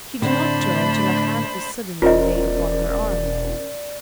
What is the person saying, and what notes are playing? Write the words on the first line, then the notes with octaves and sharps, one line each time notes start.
She did not turn till a hand was suddenly laid upon her arm.
A2 D3 A3 C4 D4 C5 B5
E1 C#4 F4 A#4 C5 D5 D#5